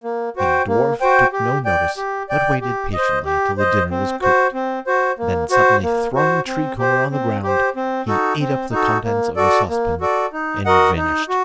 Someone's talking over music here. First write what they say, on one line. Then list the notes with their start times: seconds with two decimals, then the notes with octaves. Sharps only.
The dwarf took no notice, but waited patiently till the dinner was cooked, then suddenly throwing Tree Comber on the ground, he ate up the contents of the saucepan and vanished.
0.04 A#3
0.36 F#4 C5 G5
0.68 A#3
1.01 F#4 C5 G5
1.33 G4
1.65 D5 G5
1.97 G4
2.29 D5 G5
2.61 G4
2.93 C5 D#5
3.25 G4
3.58 C5 D#5
3.90 C4
4.22 F#4 C5
4.53 C4
4.87 F#4 C5
5.19 A#3
5.50 F#4 C5
5.83 A#3
6.15 F#4 C5
6.47 C4
6.79 G4 C5
7.11 C4
7.44 G4 C5
7.76 C4
8.08 D#4 F#4 A4
8.40 C4
8.71 D#4 F#4 A4
9.04 A#3
9.36 F#4 A4 D5
9.69 A#3
10.01 F#4 A4 D5
10.33 D#4
10.65 F#4 A#4 D#5 F#5
10.96 D#4
11.29 F#4